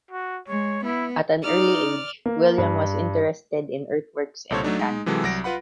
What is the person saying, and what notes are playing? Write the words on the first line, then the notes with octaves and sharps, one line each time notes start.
At an early age, William was interested in earthworks and mechanics.
F#4
G#3 C#5
B3 E4
D#4 D5 F6
A#3
G2
C2 A#2 A4 C5 C#5
F#3 A3 D4 D#4
G#3 D#4
C3 E3 F#3 G#3 A4
C2 F#3 A#6 D7
F4 B4 F#5 B5